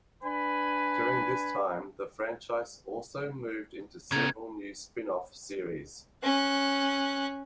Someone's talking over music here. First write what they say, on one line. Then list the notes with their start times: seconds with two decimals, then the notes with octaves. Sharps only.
During this time, the franchise also moved into several new spin-off series.
0.24 D4 B4 G#5 B5
4.12 C#3 F3 B3 D#4 G#6
6.23 C#4 F#6